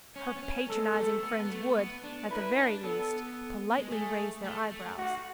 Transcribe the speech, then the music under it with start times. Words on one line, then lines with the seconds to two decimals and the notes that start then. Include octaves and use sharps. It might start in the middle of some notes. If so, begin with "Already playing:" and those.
Her patronizing friends would, at the very least, politely raise their eyebrows.
0.16 C#4 C#5
0.36 B3
0.43 C#4
0.69 G#3 A4
0.93 B3
0.96 A3
1.23 B3
1.44 B3
1.50 A3
1.77 B3
2.04 D4
2.31 E4 B4
2.57 D4
2.83 B3 A4
3.79 G#3
3.91 A3 G#4
4.44 A3
4.72 A3
4.97 F#4